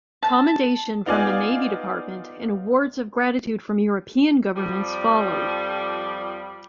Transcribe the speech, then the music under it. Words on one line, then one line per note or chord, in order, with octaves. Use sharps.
Commendation from the Navy Department and awards of gratitude from European governments followed.
A5
B3 D#4 F4 D5 F5 G#5
F2 F3 G3